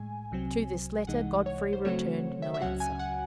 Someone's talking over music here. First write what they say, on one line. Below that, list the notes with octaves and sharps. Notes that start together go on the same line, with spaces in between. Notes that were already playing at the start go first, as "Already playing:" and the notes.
To this letter Godfrey returned no answer.
Already playing: A2 G#3 G#5
C2 C3 F#3 C4
C2 C3 E3 G#3 D#4 F#5
C#5
C5
C#3 F#3 A3 C4 F#4 C#5
E5
E5
C#2 C#3 F#3 C#4 F#4 F#5
G#5
F#5